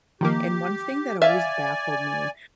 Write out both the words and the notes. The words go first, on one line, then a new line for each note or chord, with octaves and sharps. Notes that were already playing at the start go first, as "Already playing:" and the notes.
And one thing that always baffled me
D#3 F3 A#3 G4
D5 E5 F5 G#5